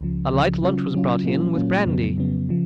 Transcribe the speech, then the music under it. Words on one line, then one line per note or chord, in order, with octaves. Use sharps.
A light lunch was brought in, with brandy.
C#2 C#3 F3
C#2 C#3 F3
C#3 F#3 C#4 F4
C#3 F#3 C#4 F4
A#2 F#3 A#3 C#4 F4
A#2 F#3 A#3 C#4 F4
F2 C#3 F#3 B3
F2 C#3 F#3 B3
C#3 F3